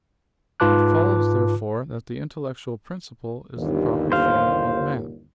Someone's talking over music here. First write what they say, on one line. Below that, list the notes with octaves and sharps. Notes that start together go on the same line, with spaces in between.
It follows therefore that the intellectual principle is the proper form of man.
G#2 F4 B4 A5 D6 F#6
G1 D#2
C5 F5